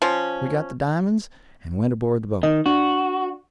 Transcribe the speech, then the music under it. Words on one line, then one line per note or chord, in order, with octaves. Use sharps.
We got the di'monds and went aboard the boat.
F3 C#4
D#3 D#5
D4 F#4